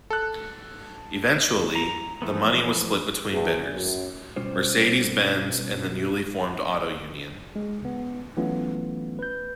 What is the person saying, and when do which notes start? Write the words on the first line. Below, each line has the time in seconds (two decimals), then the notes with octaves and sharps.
Eventually, the money was split between bidders, Mercedes-Benz and the newly formed Auto Union.
0.10 A4 F#6
1.75 A#5
2.22 E3 F3 A3 B3
3.32 E2
3.71 F#2
4.36 B2 G3 C#4 F4 C5
7.56 G#3
7.82 C#2 B3
8.37 E3 F#3 A3 B3 C#4 F4
9.19 B4 G6